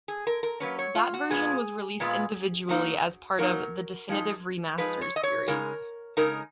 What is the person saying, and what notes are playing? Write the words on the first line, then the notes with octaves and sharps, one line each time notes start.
That version was released individually as part of "The Definitive Remasters" series.
G#4
A#4
A#4
F#3 A#3 C#4 B4
C#5
F4
F#4
A#2 G#3 B3 F4 G#4
A#2 G#3 B3 F4
F#3 A#3 D#4
F#3 A#3 D#4 A#4
F3 G#3 D#4
F3 G#3 D#4 B4
C#5
D#5
C#5
C#3 G#3 D#4 A#4
C#3 G#3 D#4 A#4